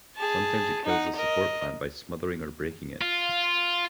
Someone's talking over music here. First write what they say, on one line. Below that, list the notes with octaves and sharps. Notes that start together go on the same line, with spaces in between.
Sometimes it kills the support plant by smothering or breaking it.
G#4 A5
D#4 F#5
A#4 D#5
F4